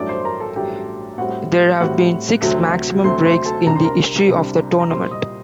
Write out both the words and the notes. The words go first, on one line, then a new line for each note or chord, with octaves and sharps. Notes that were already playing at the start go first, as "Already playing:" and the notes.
There have been six maximum breaks in the history of the tournament.
Already playing: A1 G2 F#3 A3 D4 D5 D6
C5 C6
C6
A#4 A#5
A4 A5
A1 G2 F#3 A3 D4 G4 G5
A2 G3 C4 F#4 F#5
A2 G3 C4 F#4 F#5
D2 C3 F#3 A3 C4
D2 C3 F#3 A3 C4 C5 C6
C5 C6
A4 A5
C2 C3 G3 D4 A#5
C6
A#4 A#5
C2 C3 G3 D4
A#5
C2 A#2 G3 A#3 C5 C6
D#5 D#6